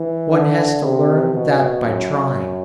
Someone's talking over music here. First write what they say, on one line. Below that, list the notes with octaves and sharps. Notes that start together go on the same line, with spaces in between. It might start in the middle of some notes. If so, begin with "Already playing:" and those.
One has to learn that by trying.
Already playing: E3
D3
C3
B2
F#2